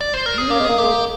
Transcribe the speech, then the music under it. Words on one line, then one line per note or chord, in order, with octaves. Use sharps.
you really gonna go
D5
C5
A#4
G#4
A#3 G4
G#3
A#3 G#4
A#3 G4